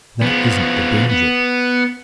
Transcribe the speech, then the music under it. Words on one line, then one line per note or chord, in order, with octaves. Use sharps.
That isn't the danger.
F3 B3
B3